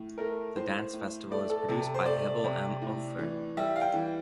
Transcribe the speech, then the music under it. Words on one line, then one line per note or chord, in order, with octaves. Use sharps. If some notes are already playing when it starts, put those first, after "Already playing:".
The dance festival is produced by Hebbel am Ufer.
Already playing: A2
A3 A#4
A2 C5
A2
A3 D5
A4
C3 A4
C5
A3 D5
C3
A2
E3
G3 E5
F5
G5
E3